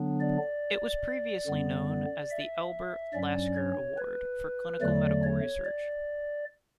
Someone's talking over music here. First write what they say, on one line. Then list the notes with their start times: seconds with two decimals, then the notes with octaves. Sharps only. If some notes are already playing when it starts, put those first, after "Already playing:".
It was previously known as the Albert Lasker Award for Clinical Medical Research.
Already playing: D3 F#3 B3 D4
0.21 D5
1.47 F#2 D3 G3 B3
2.31 E5
3.13 G2 F#3 C#4 D5
3.56 C#5
3.98 B4
4.81 E2 D3 F#3 A3 D5
5.24 C#5
5.65 D5